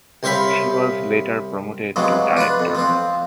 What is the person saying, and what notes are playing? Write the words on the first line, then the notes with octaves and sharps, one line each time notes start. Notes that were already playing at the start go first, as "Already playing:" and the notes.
She was later promoted to Director.
C2 C5 C#5 F5 B5
G2 C3 F3 F#3 G#3
D4 F4 B4
F2
F3 C4